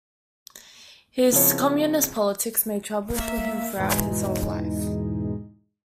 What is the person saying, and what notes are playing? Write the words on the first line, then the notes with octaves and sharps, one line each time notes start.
His communist politics made trouble for him throughout his whole life.
C#3 F3 B3 C4 E4 C#5
A#3 E5
E2 G#2 B2 E3 G#3 D#4